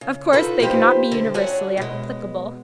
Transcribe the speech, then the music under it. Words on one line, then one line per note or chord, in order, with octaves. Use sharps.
Of course, they cannot be universally applicable.
C#3
D#4 F4 F#4 A4 B4
F3 A#3 D#4 G4 B4 C5
D3
G2 D4 F#4 C#5 F#5 G#5
B2 G#3